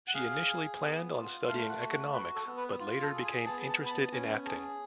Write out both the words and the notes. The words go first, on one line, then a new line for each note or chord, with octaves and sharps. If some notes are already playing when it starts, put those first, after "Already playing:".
She initially planned on studying economics but later became interested in acting.
F#5
G#4 F5
G#4
B3
F4
A3 F5
F#5
F#4
F#5
F#4 B4
A4
B3
B4
F4
A4
G#4
G#5
B3 A5
A5
B3
B5
A5
C#4 G#5
G#4 A5